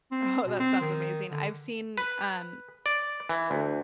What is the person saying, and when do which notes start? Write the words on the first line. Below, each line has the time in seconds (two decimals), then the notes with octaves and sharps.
Oh, that sounds amazing I've seen, um,
0.12 C4
0.46 B2
0.60 C4
0.81 D#3
1.30 D3
1.98 B4
2.86 D5
3.29 E3
3.51 D2